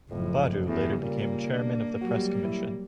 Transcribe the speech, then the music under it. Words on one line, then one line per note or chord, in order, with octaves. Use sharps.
Badu later became Chairman of the Press Commission.
F#1 F2 A2 F3
E2 C#3 G3 A3
A#2 A#3
D4
F#3 G3 F#4
E4